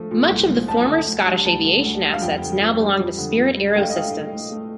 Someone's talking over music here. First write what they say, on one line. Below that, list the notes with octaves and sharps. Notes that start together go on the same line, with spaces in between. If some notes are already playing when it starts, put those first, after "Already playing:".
Much of the former Scottish Aviation assets now belong to Spirit AeroSystems.
Already playing: F3 A3
A#2
C2
F3
D2 A5
D3
D2
G3
D2 A5
D3
D2
G3
F5
F2 G5
D3
F2
G3
F2
D3
F2
G3
A3 G5
F5
D#5
A3 F5
A2
A2
A3